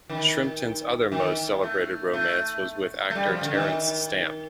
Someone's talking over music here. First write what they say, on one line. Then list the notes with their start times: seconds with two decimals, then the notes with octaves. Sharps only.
Shrimpton's other most celebrated romance was with actor Terence Stamp.
0.10 D#3
1.12 D#3
1.63 A3
2.14 A3
3.10 A3
3.15 G3
3.28 F3
3.41 D3
3.54 D#3